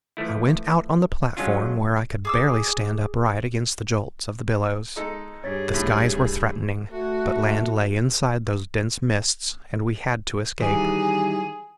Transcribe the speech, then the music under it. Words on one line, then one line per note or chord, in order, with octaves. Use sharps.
I went out on the platform, where I could barely stand upright against the jolts of the billows. The skies were threatening, but land lay inside those dense mists, and we had to escape.
E3 F3 A3 E4
F#3 G#3 C#4 D4 F4
G#4 D6 E6
G#3 D#4 A4
G2 G#4 C#5 A6 B6
C2 A2
C2
A3 F#4
D#3 E3 G3 G#4